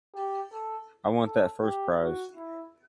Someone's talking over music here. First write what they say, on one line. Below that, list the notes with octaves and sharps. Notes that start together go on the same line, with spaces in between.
I want that first prize.
G4
A4
A4
G4
F#4
E4